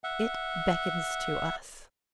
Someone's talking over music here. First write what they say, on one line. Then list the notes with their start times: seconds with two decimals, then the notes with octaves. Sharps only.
It beckons to us.
0.04 E5 F#5